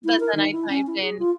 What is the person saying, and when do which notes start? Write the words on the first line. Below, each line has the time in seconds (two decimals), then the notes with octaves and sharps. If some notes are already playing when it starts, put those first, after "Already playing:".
But then I typed in
0.05 E4
0.20 A#4
0.35 D#3
0.52 E4
0.69 C#4
0.87 E4
1.01 G#4
1.19 F4